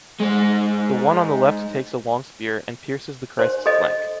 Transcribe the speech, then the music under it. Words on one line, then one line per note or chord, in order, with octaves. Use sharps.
The one on the left takes a long spear, and pierces the Christ’s flank.
G#3 C5
C5
A4 D#5